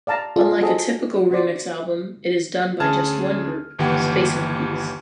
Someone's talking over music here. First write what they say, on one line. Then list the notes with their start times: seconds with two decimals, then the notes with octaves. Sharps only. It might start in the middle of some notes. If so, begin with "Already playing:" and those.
Unlike a typical remix album, it is done by just one group, Spacemonkeyz.
0.07 D5 F5 A5 A#5
0.36 F4 G#4 A4 D5
0.61 F#4 G#4 A4 C5 D#5
1.31 F#4 C5 D5
2.80 D2 C#4 G#4 A5 F6 G#6
3.79 G1 D#2 E3 G4 F#5